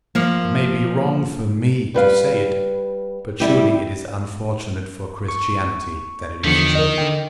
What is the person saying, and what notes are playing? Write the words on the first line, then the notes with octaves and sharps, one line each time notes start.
It may be wrong for me to say it, but surely it is unfortunate for Christianity that it is true.
F3 A#3
G3 B4 F5
G3 E4 G4
C#6
E2 D3 D#3 F3 B6 C#7
A#4 D#5
D3 G5